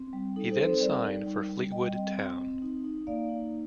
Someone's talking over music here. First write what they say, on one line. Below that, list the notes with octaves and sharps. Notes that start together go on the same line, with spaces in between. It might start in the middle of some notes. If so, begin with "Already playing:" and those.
He then signed for Fleetwood Town.
Already playing: C4
G3
D#4 A4
A4 C5
C4
A4 C5
G3 A#4 D5
D#4
G3
G3
G3 D#5 G5
C4 D#5 G5
C4
C4
D#4
D#4
A#3 D5 F5
D#4